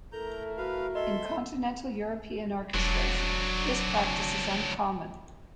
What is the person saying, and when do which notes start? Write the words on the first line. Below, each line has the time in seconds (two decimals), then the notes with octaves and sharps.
In continental European orchestras, this practice is uncommon.
0.12 A3 E4 A4 A#4 A#5 G6
0.57 F#4 B4 F5
0.95 A4 D#5 E5 C6
2.74 E1 F#3 D4